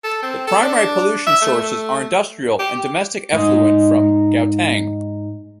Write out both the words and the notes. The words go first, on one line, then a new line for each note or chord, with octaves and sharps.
The primary pollution sources are industrial and domestic effluent from Gauteng.
A4
C4
A4
D4
E5
A3
G4
G#2 D#4 D#5